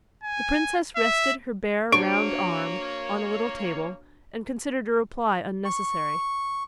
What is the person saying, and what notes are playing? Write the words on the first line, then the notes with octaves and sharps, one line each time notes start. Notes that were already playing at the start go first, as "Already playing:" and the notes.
The princess rested her bare round arm on a little table and considered a reply unnecessary.
G#5
E5
A#3 D4 F#4 C5 C#5 C#6 D7
C#6